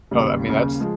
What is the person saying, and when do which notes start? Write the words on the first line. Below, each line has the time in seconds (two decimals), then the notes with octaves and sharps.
Oh, I mean, that's
0.11 D#2 C#3 G3
0.46 D#2 C#3
0.80 F3 G#3